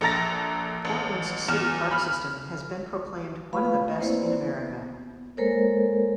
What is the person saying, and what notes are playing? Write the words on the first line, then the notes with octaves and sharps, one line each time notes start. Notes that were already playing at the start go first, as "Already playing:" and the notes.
Portland's city park system has been proclaimed one of the best in America.
A#1 A4 A#5 A6 A#6
A1
E2 F6 E7
B5 F6
A3 F4 B4 F5 B5
A#3 C4 E4 B4 C5 D5
B3
G#3 A#3 A4 A#4 C5 C#5